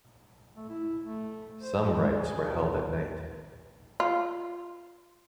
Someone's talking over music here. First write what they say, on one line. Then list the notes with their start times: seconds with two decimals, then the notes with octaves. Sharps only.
Some rites were held at night.
0.56 A3
0.69 E4
1.02 A3
1.62 C5
1.82 G#3
2.18 G#4
2.48 B2
4.00 F4